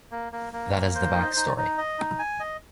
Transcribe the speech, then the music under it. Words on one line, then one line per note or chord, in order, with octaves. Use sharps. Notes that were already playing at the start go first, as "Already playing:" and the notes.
That is the backstory.
A#3
A#3
A#3
A#3
C5
D#4
D#4
D#4
D#5
D#4
G#5
D#5